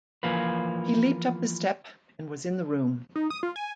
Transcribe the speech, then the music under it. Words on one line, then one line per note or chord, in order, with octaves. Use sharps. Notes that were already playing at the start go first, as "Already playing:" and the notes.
He leaped up the step and was in the room.
E3 F3 A#3 F4 B4
D#4
D#6
F4
G#5